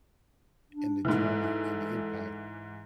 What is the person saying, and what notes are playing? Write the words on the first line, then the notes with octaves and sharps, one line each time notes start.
in the journey and the impact
D4
G#2 E3 A4